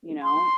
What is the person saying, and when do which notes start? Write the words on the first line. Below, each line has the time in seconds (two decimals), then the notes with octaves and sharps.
you know?
0.23 C6